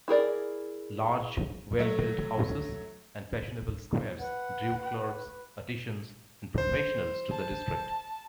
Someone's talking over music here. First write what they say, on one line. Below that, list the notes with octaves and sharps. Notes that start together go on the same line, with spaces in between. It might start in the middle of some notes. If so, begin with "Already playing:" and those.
Large well-built houses and fashionable squares drew clerks, artisans and professionals to the district.
E4 G#4 A#4 D5
F#3 A3
B4 F#5
C5
A5